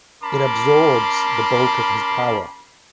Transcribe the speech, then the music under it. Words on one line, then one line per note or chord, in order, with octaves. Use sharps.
It absorbs the bulk of his power.
C#4 A#4 A5 B5 C6 D6